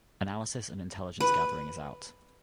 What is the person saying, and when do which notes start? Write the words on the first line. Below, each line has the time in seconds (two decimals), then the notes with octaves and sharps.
Analysis and intelligence gathering is out.
1.20 B4